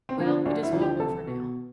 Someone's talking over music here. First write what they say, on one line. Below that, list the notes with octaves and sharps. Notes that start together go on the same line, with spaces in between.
Well, it is all over now.
C4
D3 F3
D4
D2 D4
E4
D3 F3
G4
C2 A4
B2